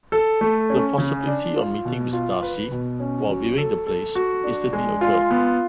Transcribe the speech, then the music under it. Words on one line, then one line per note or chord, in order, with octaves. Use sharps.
The possibility of meeting Mr. Darcy, while viewing the place, instantly occurred.
A4
A3
C#4
C#3
D4
F4
B2
F4
B4
B2
C#4
F#3
A4
A4
F#4
D4
G#3
F4
B3